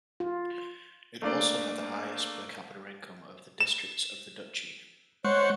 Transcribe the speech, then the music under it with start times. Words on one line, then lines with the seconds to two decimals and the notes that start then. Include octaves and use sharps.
It also had the highest per capita income of the districts of the duchy.
0.20 F4
1.22 A3 A#3 D4 D5
3.60 E7
5.25 G#3 C5 C#5 F#5 C#6